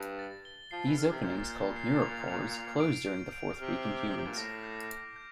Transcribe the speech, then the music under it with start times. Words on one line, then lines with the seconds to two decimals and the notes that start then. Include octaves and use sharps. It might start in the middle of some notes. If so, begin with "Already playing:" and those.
These openings, called neuropores, close during the fourth week in humans.
Already playing: G2
0.19 A6
0.45 G7
0.71 F3 C7
0.85 E3
0.98 D3 F6
1.11 C3
1.24 A#2 G6
1.50 G6
1.76 C7
2.02 F7
2.28 F7
2.54 F7
2.80 D7
3.07 G6
3.32 D7
3.59 C3 F6
3.85 D6
4.11 D6
4.17 C3
4.26 A#2
4.37 A2 A#6
4.63 G6
4.89 G6
5.16 G6